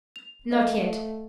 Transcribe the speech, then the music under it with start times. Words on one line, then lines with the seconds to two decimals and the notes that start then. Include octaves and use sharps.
"Not yet."
0.16 F7
0.50 A3 A#4 D#5 F5